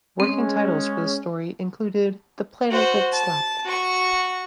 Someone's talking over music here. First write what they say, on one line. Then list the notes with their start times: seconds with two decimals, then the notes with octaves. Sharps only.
Working titles for this story included "The Planet That Slept".
0.20 G#3 C4 C#4
2.71 F#4 C5
3.12 A5
3.65 F#4 C#6